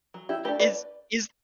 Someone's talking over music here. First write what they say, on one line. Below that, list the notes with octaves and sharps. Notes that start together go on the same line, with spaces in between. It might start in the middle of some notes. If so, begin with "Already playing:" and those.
Is is
F#3
E4 G4
A3 D4 G4 B4
B4 D5